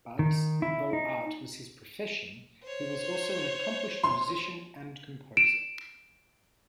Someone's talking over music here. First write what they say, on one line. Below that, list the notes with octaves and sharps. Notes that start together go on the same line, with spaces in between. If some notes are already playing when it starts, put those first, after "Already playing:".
But, although art was his profession, he was also an accomplished musician and composer.
D#3
E4
D#4
C5 C#5
C6
D7 E7